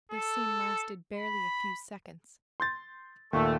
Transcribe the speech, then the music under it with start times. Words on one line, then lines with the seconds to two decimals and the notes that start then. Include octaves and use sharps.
This scene lasted barely a few seconds.
0.12 A4
1.16 B5
2.60 C6 G6 A6
3.33 D#2 A#2 A3